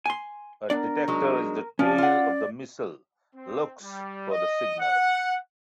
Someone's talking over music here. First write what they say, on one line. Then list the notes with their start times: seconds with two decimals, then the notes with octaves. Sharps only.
A detector in the tail of the missile looks for the signal.
0.06 G#5 C6
0.70 B3 D4 A#4 D5
1.08 F#3 G#3 D#4
1.79 F3 C#4 D5
1.98 F4 F#5
3.35 C4
3.82 G3
4.31 D#5
4.79 F#5